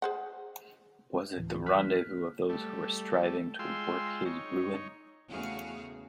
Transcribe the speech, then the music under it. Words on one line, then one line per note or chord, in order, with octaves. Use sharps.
Was it the rendezvous of those who were striving to work his ruin.
G#4 C5 F#5
D2 A2 E3
F4
F6 F#6 B6
A#3
G3 A3
G#3 F4 G5 C6 E6
D#4 C#5
E2 C#3 A3 F#4 G#4 F5